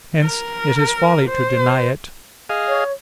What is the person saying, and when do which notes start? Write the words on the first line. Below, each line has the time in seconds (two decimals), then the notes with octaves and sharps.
Hence it is folly to deny it.
0.23 A#4
1.28 C5
2.49 G#4 D#5 F5
2.68 C#5